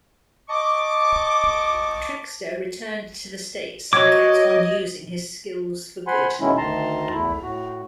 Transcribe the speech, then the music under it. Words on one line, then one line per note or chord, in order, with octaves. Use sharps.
Trickster returned to the States and kept on using his skills for good.
D#5 A5 C#6 D6
F#3 D#5 D6 G#6
C5 F#5 G#5 B5 C6
B2 D#3 F#3 G#3 C#4 E4
D2 D#3 A5 A#5 C6
E2 A3 E4
A2 F#4